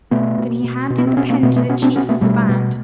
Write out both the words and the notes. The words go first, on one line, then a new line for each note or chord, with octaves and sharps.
Then he handed the pen to the chief of the band.
B2 A3 B3
B2
B2
B2
B3
C4
B2 B3 C#4
A#3 C4
B2 A3 B3
A3 B3
B2 B3 C#4
C4 D4
B2 B3 C#4
A3 B3
B2 G3 A3
B2